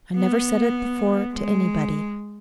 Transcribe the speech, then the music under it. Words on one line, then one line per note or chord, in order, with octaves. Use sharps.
I never said it before--to anybody.
B3
G#3